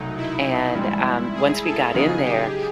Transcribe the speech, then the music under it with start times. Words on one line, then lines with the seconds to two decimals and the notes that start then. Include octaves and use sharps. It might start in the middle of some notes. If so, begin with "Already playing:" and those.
and, um, once we got in there,
Already playing: C2 B2 F#3 A3 D#4
0.17 E4
0.75 G#2 E3 G3
1.34 G#4
1.64 A4
1.94 C#3 F#3 B3 D#4 G#4
2.23 G4